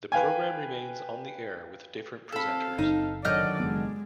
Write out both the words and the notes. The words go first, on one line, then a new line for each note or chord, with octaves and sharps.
The programme remains on the air with different presenters.
B4 F5 G5 G#5
C4 A4 F5 B5
F#1 D#4
D3 D#3 F#3 D5 D#5 F6 G6
F#1 G#3 B3